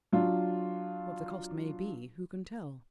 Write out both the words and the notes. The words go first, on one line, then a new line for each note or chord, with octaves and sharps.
What the cost may be, who can tell?
F#3 D4 F4